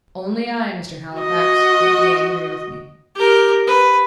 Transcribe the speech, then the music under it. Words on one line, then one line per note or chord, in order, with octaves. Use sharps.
"Only I, Mr. Halifax--don't be angry with me."
F#4 D#5
G4 A#4
B4